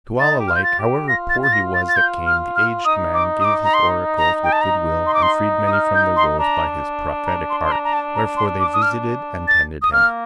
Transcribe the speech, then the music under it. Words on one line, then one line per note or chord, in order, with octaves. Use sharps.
To all alike, however poor he was that came, the aged man gave his oracles with good will, and freed many from their woes by his prophetic art; wherefore they visited and tended him.
D#4 A6
G4
F4 F6
G6
A6
G4
F4 A#6
A6
A6
A#6
A6
A6
G6
F6
F6
D#4 D#6
D6
D#6
D6
A#5
C6
A#5
G5
A5
A#5
C6
D6
C6
D#6
F6
G6
C6
D4 A#5
A#5
C6
C6
A#5
A#5
A5
A#5
C6
D6
D#6
F6
A6
D#6
A#3 F6